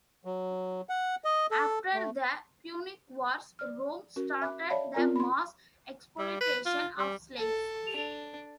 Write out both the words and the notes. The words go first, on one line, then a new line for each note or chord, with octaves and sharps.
After the Punic wars, Rome started the mass exploitation of slaves.
F#3
F#5
D#5
A4
A3
D5 F6
C#4 F#4 A#4
E5 B5 D6 F#6
C#5 D5 E5 F5 A5 B5
C4 F4 A#4 D5 A#5
B5 C6
G3
B4
F4
G3
A4
D4